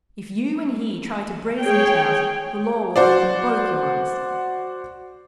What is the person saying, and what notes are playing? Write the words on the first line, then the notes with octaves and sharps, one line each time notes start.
If you and he try to brazen it out, the law will open both your eyes.
G#4 C#5 G5
F#4 C5 D5